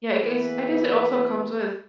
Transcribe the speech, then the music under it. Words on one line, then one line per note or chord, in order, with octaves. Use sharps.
Yeah, I guess I guess it also comes with
E3 A#3 B3 G#4 B4